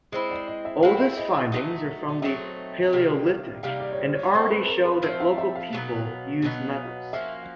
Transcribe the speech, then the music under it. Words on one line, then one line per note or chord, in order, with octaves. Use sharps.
Oldest findings are from the Paleolithic and already show that local people used metals.
G#3 C4 E4 C5
D5
D#5
E5
G#3 C4 E4 F5
E5
D#5
D#5
F#3 A3 C4 D#4
F#3 A3 C4 D#4 E5
C3 D#3 G3 A#3
C3 D#3 G3 A#3 F5
D5
C#5
C5
C#5
F3 A3 C4 C5
B4
A#4
B4
F3 A3 C4 C5
F5
E5
F5
B2 F#3 B3 D#4
B2 F#3 B3 D#4
F3 A#3 C#4 F#4 E5